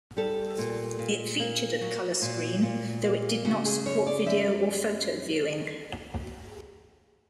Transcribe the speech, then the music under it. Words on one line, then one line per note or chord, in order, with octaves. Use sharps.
It featured a color screen, though it did not support video or photo viewing.
G3 A4
A#2
A#2
A#3
F#3 F#4
A#2
A#2
A#3
C#3 F#4
G#4
F#2 C#5
D5
F#2 E5